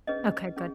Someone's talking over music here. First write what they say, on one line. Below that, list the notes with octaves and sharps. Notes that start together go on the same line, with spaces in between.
Okay, good.
C#4 G#4 B4 D#5
C#4 G#4